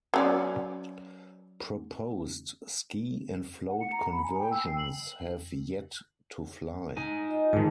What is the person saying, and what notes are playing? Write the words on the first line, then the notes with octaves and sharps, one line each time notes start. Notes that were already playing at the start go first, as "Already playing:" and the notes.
Proposed ski and float conversions have yet to fly.
F#3 C#4 D5
F#5
C#7
A#5
B5
G#5
G5
E6
C7
F#7
D#4 G#5
F4 D#5
G#2 D#3 A5